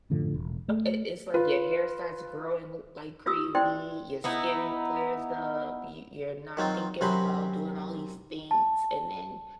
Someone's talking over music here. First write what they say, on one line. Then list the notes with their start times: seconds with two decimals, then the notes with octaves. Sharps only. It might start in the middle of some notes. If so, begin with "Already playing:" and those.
it it's like your hair starts growing l like crazy, your skin clears up, you you're not thinking about doing all these things, and then
0.10 F#2 A2 D3 F3
0.34 E1
0.68 A3
1.34 F4 B4
3.26 F4 G4 D#6 E6
3.55 E4 C5 D5 G5 C6
4.24 B3 D#4 E4
6.57 D#3 F#3 C4 F4
7.01 F#2 C3 F#3 C4 B5 C6
8.51 A5